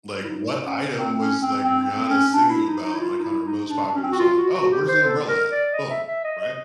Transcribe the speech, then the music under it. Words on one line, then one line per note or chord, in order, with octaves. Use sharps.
Like, what item was, like, Rihanna singing about, like, on her most popular song? Oh, where's the umbrella at? Boom. Right?
E4
D#4
C#4
C4
C#4
C4
C4
C4
C#4
D4
E4
D#4
D#4
E4
F4
D#4
E4
D#4
D4
D4
C#4
C4
F#4
F4
F#4
F#4
G4
C5
A4
A#4
D5
D#5
E5
E5
D#5
D#5